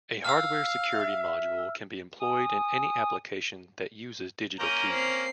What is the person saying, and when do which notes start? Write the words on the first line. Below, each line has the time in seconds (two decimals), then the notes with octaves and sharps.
A hardware security module can be employed in any application that uses digital keys.
0.25 F5 E6 F6
0.94 E5
2.21 G#5 D#6
4.60 A#3 C#4 A#5 G6 D#7
4.90 C4 C7